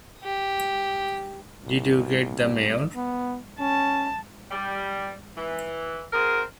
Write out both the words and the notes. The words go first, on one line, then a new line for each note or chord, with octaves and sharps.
Did you get the Mayor?
G4 D#6
C2
B3
C#4 A5
G3
E3
C4 F#4 G#4 A#4